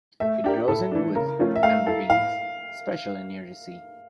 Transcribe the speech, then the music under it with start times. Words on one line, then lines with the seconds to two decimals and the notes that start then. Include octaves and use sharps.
It grows in woods and ravines, especially near the sea.
0.20 A3 E5
0.44 D4 G4 A#4
0.68 A2 A4
0.92 E3 A3 D4
1.15 C#3 A#4
1.39 F3 A3 C#4 F4
1.56 E5
1.63 A3 F5
1.87 E4 A4
2.10 A2 F5